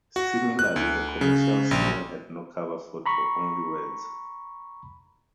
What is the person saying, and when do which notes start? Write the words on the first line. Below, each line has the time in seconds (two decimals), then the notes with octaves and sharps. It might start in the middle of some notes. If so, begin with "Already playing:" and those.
Similarly, the commercial single had no cover photo, only words.
0.16 F#4
0.59 F#6
0.76 D2
1.21 C#3
1.71 A#1
3.06 A#5 B5 C#6